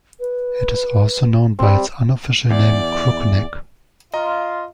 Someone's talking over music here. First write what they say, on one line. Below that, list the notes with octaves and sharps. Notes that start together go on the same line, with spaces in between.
It is also known by its unofficial name Crookneck.
B4
G3 C4
E2 D5
F4 D#5 A#5